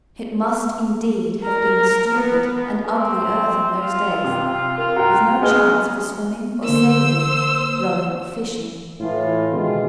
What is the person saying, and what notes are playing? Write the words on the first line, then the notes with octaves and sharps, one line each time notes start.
It must, indeed, have been a stupid and ugly earth in those days, with no chance for swimming or sailing, rowing or fishing.
A#4
B3
C4
F4
C3
F4 A#4
F#4 G5 A#5
G#3 B3 G#4 D#5 G#5 F6 G7
D3 A#3 C5 E6
A2 E3 F4
B2 D3 D#3 G#3 F4